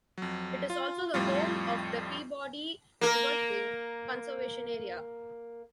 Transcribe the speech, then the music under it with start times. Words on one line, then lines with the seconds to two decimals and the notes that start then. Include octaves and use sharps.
It is also the home of the Peabody River King Conservation Area.
0.18 F2 F#3
0.70 F4
1.14 F2 A2 G3 F4
3.01 A#3 A#4